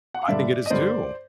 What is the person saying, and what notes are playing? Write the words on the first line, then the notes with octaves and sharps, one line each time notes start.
I think it is too.
F#5
F5
G2 D3 G3 D5 E5
D#5
G2 D3 G3 C5 D5